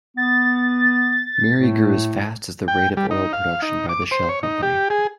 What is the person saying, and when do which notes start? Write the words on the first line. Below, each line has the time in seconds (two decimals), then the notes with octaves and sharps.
Miri grew as fast as the rate of oil production by the Shell company.
0.17 B3 A6
1.58 A2 A3
2.68 G5
2.97 G3
3.11 D#4
3.33 F5
3.62 D#4
3.89 D6
4.11 C5
4.29 C#5
4.43 D#4
4.63 G4
4.90 G#4